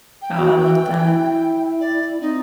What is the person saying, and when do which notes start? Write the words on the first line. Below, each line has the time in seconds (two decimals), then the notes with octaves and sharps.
Oh, I love that.
0.22 G5
0.37 F#4
1.02 E4
1.80 D5
2.21 C4 D#4